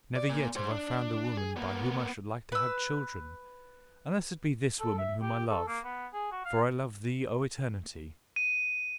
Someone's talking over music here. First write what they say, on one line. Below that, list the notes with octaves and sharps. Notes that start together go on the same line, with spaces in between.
Never yet have I found the woman by whom I should like to have children, unless it be this woman whom I love: for I love thee, O Eternity!
D5
A#2
G#3 C5
D4
G#4
A#3 B3
B4 E6
A4
E5
G4
A4
A#3
B3
G#4
F#4
F5
D#7